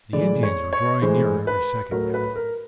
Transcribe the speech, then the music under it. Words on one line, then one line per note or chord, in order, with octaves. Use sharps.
The Indians were drawing nearer every second now.
A2 E3 G#3 D5
C#5
C#5
A2 E3 G#3 C5
B4
A2 F#3 A#4
B4
A#4